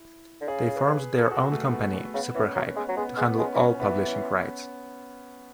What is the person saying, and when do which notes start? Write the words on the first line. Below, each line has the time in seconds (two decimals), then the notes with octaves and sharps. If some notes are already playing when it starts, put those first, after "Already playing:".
They formed their own company, Superhype, to handle all publishing rights.
Already playing: E4
0.41 D3
0.48 C#3 G#4
0.76 B4
1.17 A4
1.24 G#4
1.31 F#4
1.52 A3
1.72 B3
1.93 A3
2.14 C#3 B3
2.35 E3 C#4
2.55 F#3 B3
2.75 G#3 B3
2.89 F#3
2.97 G#3 B3
3.17 G#3 B3
3.38 G#3 C#4
3.54 E3
3.59 F#3 C#4
3.80 E3 B3
4.07 C#4